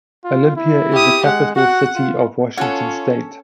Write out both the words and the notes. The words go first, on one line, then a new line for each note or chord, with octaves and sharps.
Olympia is the capital city of Washington state.
F4
E4
G4 D#6
G#3 F#5
F#4 F#5
F4
C#4 F4 A4 C#5 F#5